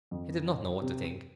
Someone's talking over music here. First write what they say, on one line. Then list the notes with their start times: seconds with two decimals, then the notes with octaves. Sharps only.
He did not know what to think.
0.11 F2
0.82 C3
1.05 D#7